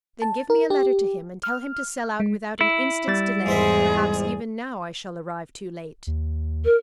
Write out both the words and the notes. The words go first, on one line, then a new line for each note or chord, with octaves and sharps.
"Then give me a letter to him, and tell him to sell out without an instant's delay, perhaps even now I shall arrive too late."
A5
A#4
G4
F6
G#3
E4
G3 A6
E2 G#2 G#4 C5 E5
D#2
A#4